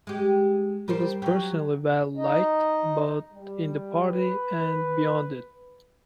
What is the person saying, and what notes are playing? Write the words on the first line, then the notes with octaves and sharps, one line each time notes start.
He was personally well-liked, both in the party and beyond it.
G#3 G4
G3 A#4 C5
F#3 G4
D#4 D#5
G3
B4